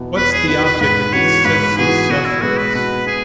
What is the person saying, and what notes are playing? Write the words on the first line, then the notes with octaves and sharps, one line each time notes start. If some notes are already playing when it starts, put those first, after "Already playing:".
What's the object of these senseless sufferings?
Already playing: E2 B2 B3 E4
E2 B4
G#4
B2 B3 E4 B4
B4
G#2 B4
E3 B3 F#4 C#5
G#2 B4
E3 B3 F#4 G#4
B2 F#4
E4
G#3 B3 F#4
B4
B2 B4
B3 G#4